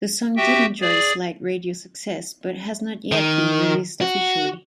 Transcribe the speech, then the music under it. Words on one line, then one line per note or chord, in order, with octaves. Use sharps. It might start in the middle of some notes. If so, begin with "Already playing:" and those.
The song did enjoy slight radio success, but has not yet been released officially.
F#4 G4 E5 G5
G#4 D5
D#3
F#4